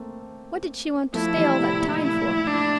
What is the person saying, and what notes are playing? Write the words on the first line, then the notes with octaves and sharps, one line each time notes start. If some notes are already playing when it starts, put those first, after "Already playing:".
What did she want to stay all that time for?
Already playing: A3 A#3 C4
F3 A3 E4
E3 G3
A2 C3
A#2
A2 E4
D4